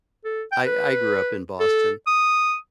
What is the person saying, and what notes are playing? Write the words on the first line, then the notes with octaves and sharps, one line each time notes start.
I I grew up in Boston.
A4
G5
B4
A4
D#6